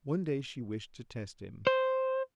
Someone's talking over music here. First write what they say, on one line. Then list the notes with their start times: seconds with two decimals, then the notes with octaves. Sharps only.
One day she wished to test him.
1.67 C5